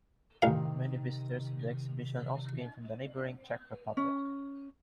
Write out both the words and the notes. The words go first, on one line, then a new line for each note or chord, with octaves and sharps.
Many visitors of the exhibition also came from the neighbouring Czech Republic.
A1 C3 D#3 F5
C#4